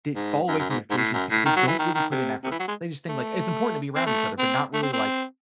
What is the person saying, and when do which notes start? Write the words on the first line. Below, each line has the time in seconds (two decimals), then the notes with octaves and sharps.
did fall away from their traditions because they don't really put in effort. They just think, like, it's important to be around each other, but not really, like,
0.15 G#2
0.48 F#2
0.59 F#2
0.69 G#2
0.90 G#2
0.97 A2
1.13 F#2
1.30 A2
1.46 D#3
1.56 F#3
1.67 E3
1.79 D#3
1.94 D#3
2.11 C3
2.44 C3
2.51 E3
2.59 F#3
2.68 G#3
3.09 A3
3.95 C4
4.06 A3
4.38 C4
4.74 A3
4.82 C4
4.93 C4